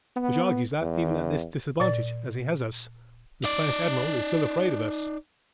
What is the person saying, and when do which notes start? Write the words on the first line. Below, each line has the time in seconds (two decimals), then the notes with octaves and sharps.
"Which argues that, even at this disadvantage as he has us, the Spanish Admiral is still afraid of us."
0.16 B3
0.82 E2
1.80 A#2 D5 A6
3.44 D#4 D5